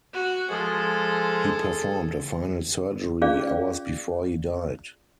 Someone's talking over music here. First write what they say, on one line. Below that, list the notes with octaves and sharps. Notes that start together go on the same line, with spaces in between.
He performed a final surgery hours before he died.
F#4
F3 G#3 G#4 A4
C#4 F4 G#4 B4 D5 F5